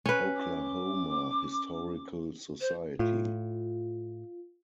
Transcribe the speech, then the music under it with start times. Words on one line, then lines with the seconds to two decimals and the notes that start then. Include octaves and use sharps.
Oklahoma Historical Society.
0.06 C#4 B4
0.36 D6
2.61 C5
2.99 A2 F4